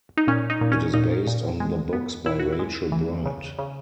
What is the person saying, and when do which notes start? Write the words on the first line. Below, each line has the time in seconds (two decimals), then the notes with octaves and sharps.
It is based on the books by Rachel Bright.
0.17 D#4
0.27 A#2 C#4
0.50 D#4
0.61 A#2
0.72 C#4
0.94 A#2 D#4
1.27 A#2
1.60 G#3
1.93 B3
2.26 A#2 E4
2.40 F#4
2.52 E4
2.59 G#3
2.92 E3
3.26 C#3
3.58 C#3